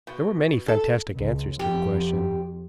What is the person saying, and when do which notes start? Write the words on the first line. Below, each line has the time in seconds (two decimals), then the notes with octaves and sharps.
There were many fantastic answers to the question.
0.07 B2
0.68 A4
1.14 C#2
1.59 F2 G4